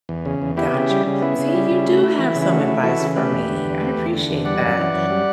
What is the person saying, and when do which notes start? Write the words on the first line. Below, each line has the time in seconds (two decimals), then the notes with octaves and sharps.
Gotcha. See, you do have some advice for me, I appreciate that.
0.09 E2
0.25 C#3
0.42 E2
0.57 B3 E4 G4
0.74 C#3
0.90 G3
1.07 C#3
1.22 B3 E4
1.39 C#3
1.55 G3
1.71 C#3
1.87 A3
2.04 E4
2.19 E3
2.35 C#3
2.42 E4
2.51 A3 F#4
2.68 E4
2.83 E3 F#4 A4
3.00 C#3
3.16 A3 G4 B4
3.32 E2
3.48 D3
3.64 E2
3.81 A3
3.97 E2
4.13 D3
4.29 E2
4.45 G3 D5 F#5
4.61 F#2
4.78 E3
4.94 F#2
5.10 G3